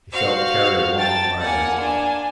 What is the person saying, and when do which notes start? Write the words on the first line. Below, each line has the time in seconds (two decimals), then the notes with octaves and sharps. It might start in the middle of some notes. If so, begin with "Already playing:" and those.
He felt carried along by a mob.
0.13 F#4 C5 F5
0.99 G5 A5 A6
1.41 A#3 F#5 G#5
1.79 D4 G#5